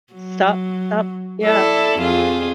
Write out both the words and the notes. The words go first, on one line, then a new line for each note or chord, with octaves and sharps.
Stop stop yeah.
F#3
E4 A4 D5
F2 F4 G#4